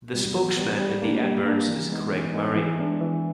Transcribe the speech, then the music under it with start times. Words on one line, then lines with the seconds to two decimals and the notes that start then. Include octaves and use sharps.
The spokesman in the adverts is Craig Murray.
0.14 G3 B3
0.35 E3
0.57 G3 B3
0.80 G3
1.02 A#3 D4
1.24 G3
1.46 A#3 D4
1.68 E3
1.90 G#3 B3 D#4
2.12 E3
2.34 G#3 B3 D#4
2.56 E3
2.79 G#3 B3 D4
3.01 E3